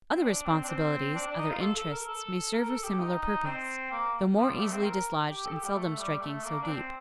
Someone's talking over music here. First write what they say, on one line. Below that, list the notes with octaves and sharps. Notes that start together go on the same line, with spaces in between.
Other responsibilities, other interests, may serve a similar purpose, though more easily dislodged and seldom striking so deep.
C4
D4
C4
D4
C4
D4
D4
D#4
F4
A4
A4
A#4
A4
A#4
A4
G4
D#4
D#4
C4
A#3
F3
G3
A3
C4
A#4
G4
A4
G4
G3
A3
G3
A3
A#3
D4
C4